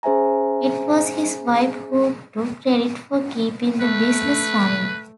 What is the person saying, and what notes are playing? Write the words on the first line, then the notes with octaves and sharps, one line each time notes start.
It was his wife who took credit for keeping the business running.
C#4 G#4 C5 E5 G#5 A#5
A3 B4